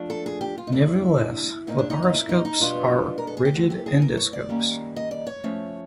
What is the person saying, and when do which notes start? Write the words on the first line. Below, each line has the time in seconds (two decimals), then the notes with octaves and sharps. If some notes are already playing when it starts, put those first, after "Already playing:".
Nevertheless, laparoscopes are rigid endoscopes.
Already playing: F3 A3 D4
0.10 A4
0.26 G#4
0.41 G4
0.58 F4
0.67 D#4
0.72 D3 G3 A#3 D4 E4
1.67 A#2 F3 A#3 C#4 D#4
1.78 D4
1.90 D#4
2.03 D#4
2.14 E4
2.29 D#4
2.45 D#4
2.60 B2 G3 B3 D4 F4
3.18 A#4
3.27 A4
3.37 G#4
3.45 G4
3.54 E3 A3 C4 F#4
3.70 G4
3.86 G#4
4.02 A#4
4.17 C#5
4.33 D5
4.49 D#3 G3 A#3 C#4
4.96 D#5
5.11 D5
5.27 C#5
5.44 F3 A3 C#4